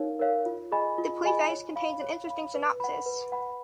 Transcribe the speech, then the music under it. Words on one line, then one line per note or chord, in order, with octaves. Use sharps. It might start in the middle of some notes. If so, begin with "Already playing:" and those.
The preface contains an interesting synopsis.
Already playing: D#4 A#4 C#5 F5
A#4 C#5 F5
F4
G#4 D#5 G#5 B5
F4
G#4 D#5 G#5 B5
C#5
F5 B5
C#5
F5 B5
B4
F#5 B5
B4
F#5 B5